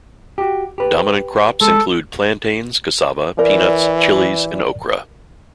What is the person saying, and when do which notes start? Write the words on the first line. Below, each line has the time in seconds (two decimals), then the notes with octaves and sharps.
Dominant crops include plantains, cassava, peanuts, chillis, and okra.
0.38 F#4 G4
0.78 G4 B4
1.61 G#3 A4
3.39 E3 A#4 D5